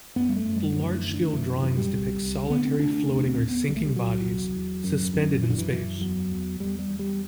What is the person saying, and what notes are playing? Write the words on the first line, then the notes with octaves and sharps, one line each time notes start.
The large-scale drawings depict solitary floating or sinking bodies, suspended in space.
F#2 B3
G3
A3
F#2
G3
E3
D2 F#3
E3
D2
D3
F#2 E3
D3
F#2 E3
G3
C2
C2
D2 B3
C4
D2 D4
D4
E2 D4
C4
E2
B3
C2 G3
A3
G3
C2 F#3
E2
E2
F#2
F#2
F#2 E3
D3
E3
F#2 E3
E2 F#3
E2
E2 G3
G3
E2
G3